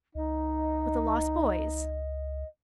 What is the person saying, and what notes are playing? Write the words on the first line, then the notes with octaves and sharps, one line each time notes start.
"With the lost boys."
C#2 D#4 D#5